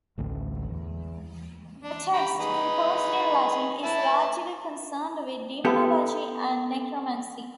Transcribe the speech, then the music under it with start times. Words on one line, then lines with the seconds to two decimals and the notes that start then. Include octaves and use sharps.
The text, composed in Latin, is largely concerned with demonology and necromancy.
0.18 A1 D2 A2
0.70 E2
1.84 D4
2.13 G4 A#5 B5
2.40 D#4 G#4 B4
3.83 E4 B4 A5
5.65 B3 G4 A4